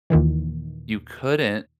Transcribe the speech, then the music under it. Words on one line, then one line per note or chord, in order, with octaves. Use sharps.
you couldn't
D#2 A#2 D#3 E3